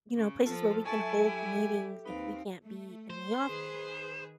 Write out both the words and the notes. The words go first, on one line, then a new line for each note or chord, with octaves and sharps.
you know, places where we can hold meetings if we can't be in the office.
C#3
F3 F4 A4
F#3 E4 A4 E5 G#5 A5 C#6
G4
D#2 C4 D#4 B4 F5
A3
C5
D#3 G#4 B4